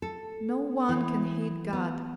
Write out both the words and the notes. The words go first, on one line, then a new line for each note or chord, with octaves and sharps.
No one can hate God.
A4
E3
B3